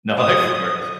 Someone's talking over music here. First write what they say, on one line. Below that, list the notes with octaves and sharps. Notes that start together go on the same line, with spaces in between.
No, I of course.
D#6